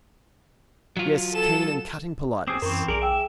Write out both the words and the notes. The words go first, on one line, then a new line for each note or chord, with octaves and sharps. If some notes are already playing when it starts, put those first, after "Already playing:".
Yes, keen and cutting politeness.
F#3 F4
A4 E7
C4 G#4 D6 D#6 C7
F#2 E3 C4 A#4 C5 C#6
B1 G#4 A#4 D5
E5 F5 G5 E6